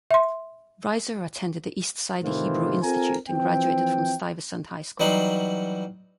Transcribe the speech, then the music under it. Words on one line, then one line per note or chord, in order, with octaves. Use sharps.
Reiser attended the East Side Hebrew Institute and graduated from Stuyvesant High School.
E5 C6
A2 C3 D#3 E3 F4 C5
C4 F4 A4 A#4 G#5 A#5
E3 F3 C4 G5
E3 F#3 G3 D#4 F#5 C6